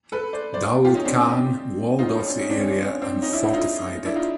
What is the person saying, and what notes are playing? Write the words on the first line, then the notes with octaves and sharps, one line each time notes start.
Daud Khan walled off the area and fortified it.
A4 B4
C5 D5
C5 D5
F4 G4
C#4 D#4
C4 D4
D#4 F4
C#4 D#4
C#4
C4 D4
C#4 D#4
C4 D4
C#4
C4 D4
C#4
C4 D4
C#4 D#4
D4 E4
D4 E4
D#4 F4
D4 E4
D#4 F4